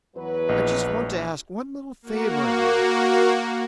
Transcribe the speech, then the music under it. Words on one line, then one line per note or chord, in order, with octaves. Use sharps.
"I just want to ask one little favor of you."
E2 F#3 B4
A#1 D#5
A#3 F#4